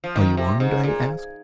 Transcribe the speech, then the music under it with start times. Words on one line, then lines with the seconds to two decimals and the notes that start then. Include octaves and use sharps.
"Are you armed?" I asked.
0.04 F3
0.15 D#3
0.37 C3
0.60 G#2
0.83 A#2